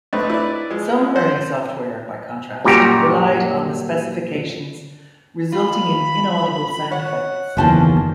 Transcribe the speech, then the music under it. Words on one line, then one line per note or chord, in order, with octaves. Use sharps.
Some early software, by contrast, relied on the specifications, resulting in inaudible sound effects.
A3 C4 D4 D#4 B4
E4 B4 D5
F3 G#3
C5 F#5
F#2 A#2 G3 F#4 G4 A#5
F4 B5
C#5 F#5
F#1 E2 D#3 C#4 F4 G4 C5 A5